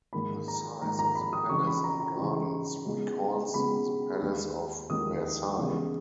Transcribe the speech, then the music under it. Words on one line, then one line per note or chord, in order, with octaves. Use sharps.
The size of the palace and gardens recalls the Palace of Versailles.
G#2 D#3 A#3 B5
A#5
G#2 D#3 A#3 A#5
A#5
B5
D#6
C#3 E3 G#3 D#4 C#6
B5
A#5
A#5
C#3 E3 G#3 D#4
C#3 G#3 B3 D#4
C#3 G#3 B3 D#4 B5
D#2 D#3 G#3 D#4
D#2 D#3 G#3 D#4 D#6
C#3 E3 G#3 B3 D#4